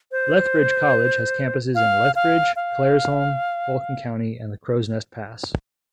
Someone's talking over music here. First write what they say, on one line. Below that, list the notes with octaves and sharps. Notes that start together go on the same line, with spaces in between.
Lethbridge College has campuses in Lethbridge, Claresholm, Vulcan County and the Crowsnest Pass.
C5
F5
F5
F5